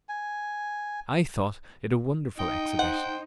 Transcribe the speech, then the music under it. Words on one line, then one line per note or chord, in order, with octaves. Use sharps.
I thought it a wonderful exhibition.
G#5
D#4 D#5 G5
C5 F#5